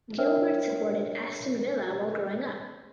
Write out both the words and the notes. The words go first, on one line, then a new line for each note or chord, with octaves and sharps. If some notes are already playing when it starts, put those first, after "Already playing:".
Gilbert supported Aston Villa while growing up.
D4 A#4 C#5 E5 G5 F6